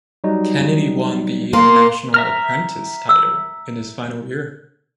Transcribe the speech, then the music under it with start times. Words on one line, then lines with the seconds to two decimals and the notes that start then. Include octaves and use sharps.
Kennedy won the National Apprentice title in his final year.
0.24 F#3 G3 D#4
1.53 A#3 C6
2.14 E5 A#5 F6
3.09 E6